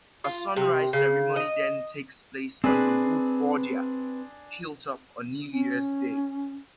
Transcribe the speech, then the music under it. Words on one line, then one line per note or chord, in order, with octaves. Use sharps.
A Sunrise Ceremony then takes place on the Woodfordia hilltop on New Year's Day.
F4
C3
C#3
D#5
C4 D4 G#4 B4
C#4